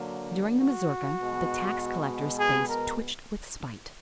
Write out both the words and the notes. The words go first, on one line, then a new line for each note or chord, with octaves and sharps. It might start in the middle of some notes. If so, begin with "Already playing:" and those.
During the mazurka the tax-collector's face twitched with spite.
Already playing: D3 F#3 A#3
F#4
B2 G#3 B3
G#4
A#4